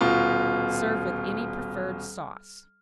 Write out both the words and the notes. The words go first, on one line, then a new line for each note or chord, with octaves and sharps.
Serve with any preferred sauce.
D#1 B2 F4